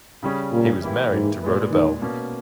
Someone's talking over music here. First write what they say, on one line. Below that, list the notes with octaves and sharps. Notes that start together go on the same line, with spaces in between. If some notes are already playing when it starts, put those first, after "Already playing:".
He was married to Rhoda Bell.
C#3 G3 C#4 G#4
A#2
E3 A#3 E4 G4
G#2
A#2 G#3 B3
D#3
B2 A#3 C#4